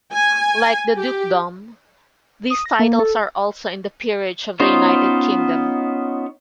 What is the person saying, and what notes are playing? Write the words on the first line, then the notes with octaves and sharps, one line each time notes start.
Like the dukedom, these titles are also in the Peerage of the United Kingdom.
G#5
G4
D#6
A#6
A#3
A4
B3 C#4 D#4 F4 C5